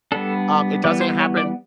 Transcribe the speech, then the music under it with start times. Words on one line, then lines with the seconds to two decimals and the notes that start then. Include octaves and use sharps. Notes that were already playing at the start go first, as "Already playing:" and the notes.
um, it doesn't happen
0.12 G3 B3 D4 A4
0.84 E3 G3 B3 D5
1.01 C5
1.19 C#5
1.37 D5